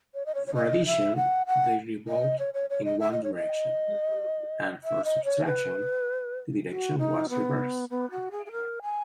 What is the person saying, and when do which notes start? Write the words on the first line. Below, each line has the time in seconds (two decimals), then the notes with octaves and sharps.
For addition they revolved in one direction, and for subtraction the direction was reversed.
0.14 C#5
0.26 D#5
0.35 C#5
0.47 C#5
0.55 D#5
0.86 E5
1.16 F#5
1.47 F#5
2.08 D#5
2.39 C#5
2.54 C#5
2.70 C#5
2.85 D#5
3.00 E5
3.12 D#5
3.24 C#5
3.35 D#5
4.84 E5
5.04 D#5
5.25 C#5
5.45 B4
6.68 F#4
6.99 D#4
7.30 B3
7.90 B3
8.11 F#4
8.31 G#4
8.46 G#4
8.52 A#4
8.82 G#5